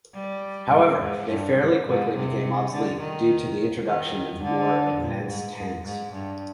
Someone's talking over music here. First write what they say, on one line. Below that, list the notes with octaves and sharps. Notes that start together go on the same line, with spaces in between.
However, they fairly quickly became obsolete due to the introduction of more advanced tanks.
G3
G#2
G#2
G2
G#2
G#2
C3
D3
D#3
D#3
D3
A#2
G#2
G#2
G#2
G2